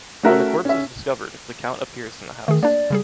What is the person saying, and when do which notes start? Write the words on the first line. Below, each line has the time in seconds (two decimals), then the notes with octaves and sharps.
When the corpse is discovered, the Count appears in the house.
0.23 A3 C#4 F#4 A#4 E5
0.65 C#4 E5
2.48 D#3 A3 G#4
2.63 A#3 D4 D5
2.90 C#3 G3 G#4